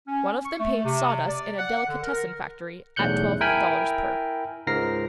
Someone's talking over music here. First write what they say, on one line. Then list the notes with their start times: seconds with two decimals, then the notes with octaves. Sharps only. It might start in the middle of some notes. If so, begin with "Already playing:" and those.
One of them paints sawdust in a delicatessen factory at twelve dollars per.
0.08 C#4
0.45 C#6
0.59 A3
0.85 C3
1.28 D5
1.59 F#5
1.89 D3
2.03 A#4
2.96 B1 E2 A2 F#6 G6 C#7
3.41 E4 A#4 G5 G#5 B5
4.67 C#2 G#2 A#4 A#6 C7